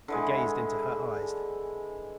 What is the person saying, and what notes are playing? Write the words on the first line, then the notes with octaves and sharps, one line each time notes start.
I gazed into her eyes.
D3 E3 G#3